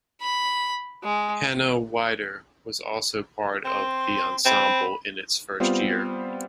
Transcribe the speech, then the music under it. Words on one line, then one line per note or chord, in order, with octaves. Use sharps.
Hanne Wieder was also part of the ensemble in its first year.
B5
G#3
C4 C6
C4 B5
G3 B3 C4 F4 C5